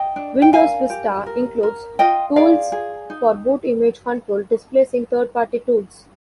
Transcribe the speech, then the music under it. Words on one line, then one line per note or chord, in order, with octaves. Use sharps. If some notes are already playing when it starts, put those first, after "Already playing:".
Windows Vista includes tools for boot image control, displacing third party tools.
Already playing: D#5 G5
D4
G5
A#4 F5 G#5
G4
A#4
A#4
F4 D#5 G5
G#4 D5 F5
G#4
D#4